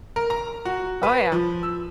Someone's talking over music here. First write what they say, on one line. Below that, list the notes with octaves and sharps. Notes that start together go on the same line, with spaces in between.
Oh, yeah.
A#4
A#5
F#4
B4
F3
E6